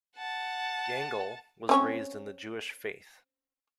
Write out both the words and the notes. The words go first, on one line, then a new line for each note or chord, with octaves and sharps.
Gangel was raised in the Jewish faith.
F#5 A5
C4 C#4 C#5